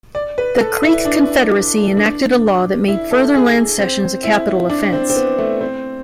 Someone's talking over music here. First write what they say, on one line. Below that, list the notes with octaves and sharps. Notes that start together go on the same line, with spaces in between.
The Creek Confederacy enacted a law that made further land cessions a capital offense.
D5
B4
A4
E4
D4
D4
E4
A4
G#4
C4
E4
D4
C4
C4
B3
A3
C4